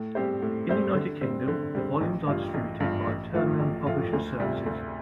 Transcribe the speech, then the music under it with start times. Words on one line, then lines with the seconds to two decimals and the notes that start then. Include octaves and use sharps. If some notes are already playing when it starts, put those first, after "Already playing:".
In the United Kingdom, the volumes are distributed by Turnaround Publisher Services.
Already playing: A2
0.15 G3 C4 G4 C5
0.42 A2
0.69 G3 C4 G4 C5
0.95 D3
1.21 G3 C4
1.48 D3
1.75 G3 C4
2.01 A1
2.27 G2 G3 F4
2.54 A1
2.80 G2 G3 F4
3.07 A1
3.33 A2 F3 A3 F4
3.60 A1
3.86 A2 F3 A3 F4
4.13 D2
4.40 C3 G3 F4
4.66 D2